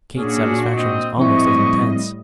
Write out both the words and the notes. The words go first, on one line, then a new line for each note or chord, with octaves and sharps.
Kate's satisfaction was almost as intense.
A#2 C#4 D4 F#4 G#4
C4 D#5
A2 F3 G3 C4 E4 D#5 C#6